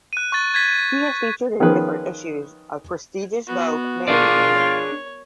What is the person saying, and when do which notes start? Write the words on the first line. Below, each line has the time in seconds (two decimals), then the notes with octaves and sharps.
He has featured in different issues of prestigious vogue magazines.
0.13 F#6 D#7
0.32 C#6 F#6 A6
0.54 G#6 A6 B6
1.60 D#3 F3 B3 C#4 G#4 B4
3.47 B3 F#4
4.08 D4 F4 G#4 A#4 D5 C#6
4.53 C#5